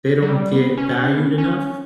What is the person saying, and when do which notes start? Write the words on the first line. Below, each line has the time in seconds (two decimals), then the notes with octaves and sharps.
they don't get valued enough
0.22 F#3
0.28 G3
0.53 B3
0.77 C#4
1.02 D4
1.10 C#4
1.17 B3
1.25 C#4
1.38 C#4